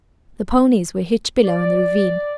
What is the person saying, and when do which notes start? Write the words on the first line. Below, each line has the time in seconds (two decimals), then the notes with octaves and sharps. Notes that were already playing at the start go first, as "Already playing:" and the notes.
The ponies were hitched below in the ravine.
1.44 D5